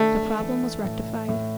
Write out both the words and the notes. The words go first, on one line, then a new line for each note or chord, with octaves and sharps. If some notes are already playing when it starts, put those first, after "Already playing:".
The problem was rectified.
Already playing: A3 D4
E3
A2
A2